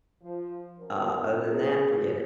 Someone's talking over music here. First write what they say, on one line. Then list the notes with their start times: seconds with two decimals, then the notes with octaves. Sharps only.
Uh, other than that, forget it.
0.22 F3
0.79 F#3 C#4 A#4
1.49 G#4